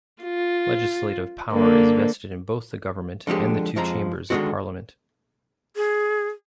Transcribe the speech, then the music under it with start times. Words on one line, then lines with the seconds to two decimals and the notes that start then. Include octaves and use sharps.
Legislative power is vested in both the government and the two chambers of parliament.
0.23 F4
1.52 D3 A#3
3.27 D3 F3 G#3 G4
3.76 F2 F3 G#3 A#5
4.30 D3 D#3 G3 G#3 E4 F#4
5.76 G#4